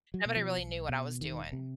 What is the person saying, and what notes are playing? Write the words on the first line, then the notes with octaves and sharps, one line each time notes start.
Nobody really knew what I was doing.
F#3
B2
F3
B1
B2
E1 D#3
C3